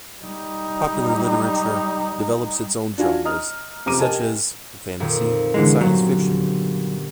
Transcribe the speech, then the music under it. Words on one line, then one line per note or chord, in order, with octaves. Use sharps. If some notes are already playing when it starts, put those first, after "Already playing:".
Popular literature develops its own genres such as fantasy and science fiction.
G3 D#4
D4 F4 F#4 F5 G#5
D#5 A#5 D#6 F6
F1 C3 A#5 D6 D#7
G4 A#4 D#5 G#5 A5
F2 A#2 D#3
D3 E3 G#3
G1 F#3